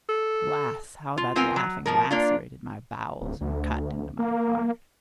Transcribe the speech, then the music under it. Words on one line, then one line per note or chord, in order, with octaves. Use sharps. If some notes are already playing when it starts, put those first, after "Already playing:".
Alas, how that laughing lacerated my bowels and cut into my heart!
A4
F4
B3 C4 F4 A#4 G5 G#5
F#3
B2 F3 A#4
A#3 D4 F4
D1
D2
A#3